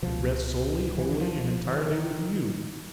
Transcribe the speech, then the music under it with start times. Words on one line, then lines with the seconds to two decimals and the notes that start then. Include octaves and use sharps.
It rests solely, wholly, and entirely with you.'
0.02 C#2 B2 F3
0.97 E3
1.09 E3
1.20 F3
1.44 F3
1.68 E3
1.91 D#3